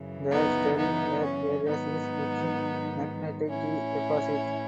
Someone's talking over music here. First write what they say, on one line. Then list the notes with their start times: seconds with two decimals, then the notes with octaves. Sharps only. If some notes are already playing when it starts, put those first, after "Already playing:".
The Sterling Lake area is rich in magnetite deposits.
Already playing: F#2 C#3 E3
0.31 B3 D#4
0.77 B3 D#4
1.23 C#4
1.67 G#2 D#3 F#3 B3 D#4
3.49 A2 E3 C#4 E4